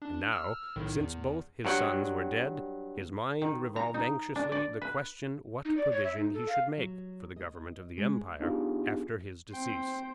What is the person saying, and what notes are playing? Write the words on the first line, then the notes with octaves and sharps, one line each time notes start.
And now, since both his sons were dead, his mind revolved anxiously the question what provision he should make for the government of the empire after his decease.
D4
E6 F6
B1 A2 D#3
E2
G2 F#3 F#5 G5
D#3
A#5
D#4
D4
D5
B4
D#4
D5
C#5
E5
D#4
A4
F5
F#3
D#5
G#3
B3 D4 D#4 F4 G4 G#4
C4 C5 G5